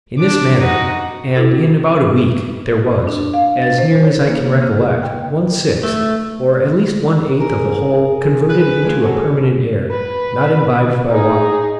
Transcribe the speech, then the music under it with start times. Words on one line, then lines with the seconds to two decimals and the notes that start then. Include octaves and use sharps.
In this manner, and in about a week, there was, as near as I can recollect, one sixth, or at least one eighth of the whole converted into a permanent air, not imbibed by water.
0.19 D4 D6
0.58 D#4 F#4
1.36 E4 F#4 A4
3.07 D4
3.34 F5
3.62 A6
3.78 C5
4.03 C#5
4.27 A#3
4.62 C#3
5.03 G5
5.83 A3
7.40 G#4 A#4
8.49 B4
8.82 F3 G#3 A#3
9.03 F#3 A4
9.91 B4
11.10 D#4 G#4